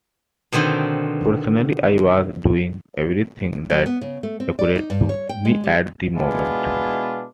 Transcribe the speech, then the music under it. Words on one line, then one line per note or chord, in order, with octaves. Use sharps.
Personally I was doing everything that occurred to me at the moment.
B2 D3 D#3 C4
F#3
B3
C#3
A3
C4
D5
D#4
G2
C#5
G5
G#3
G3
B2 G#3 B3 D4 E4 F4